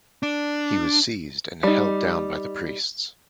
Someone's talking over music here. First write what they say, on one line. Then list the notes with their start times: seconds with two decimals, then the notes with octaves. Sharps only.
He was seized and held down by the priests.
0.23 D4
1.63 G3 D#4